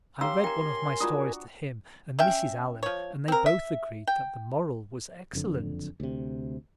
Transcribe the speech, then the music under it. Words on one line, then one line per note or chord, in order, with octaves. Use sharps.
I read one of my stories to him and Mrs. Allan and they both agreed that the moral was excellent.
C#4 G4 C#5 F5 A#5 C6 E6
A#4 G5 G#5 A#5
D4 F4 F#4 A#5 D#6
C#4 E5 G5
F3 C#5
C4 A#4
E5
G5
F#1 F2 D3
D2 C3